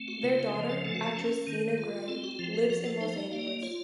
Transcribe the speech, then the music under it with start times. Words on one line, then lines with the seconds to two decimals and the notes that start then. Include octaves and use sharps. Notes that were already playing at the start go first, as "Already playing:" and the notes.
Their daughter, actress Zena Grey, lives in Los Angeles.
Already playing: A3 C4
0.08 F#4
0.23 C#3 F4
0.38 F4
0.54 F3
0.69 A4
0.85 A3 A4
0.95 F#4
1.05 A4
1.16 C#4
1.47 D#3
1.78 F4
2.08 C4 A4
2.24 F#4
2.39 F3 F4
2.54 F#4
2.70 F3 F#4
2.86 A4
3.01 D#4 C5
3.16 D#5
3.32 A#3 F5
3.47 D#5
3.62 F4 C#5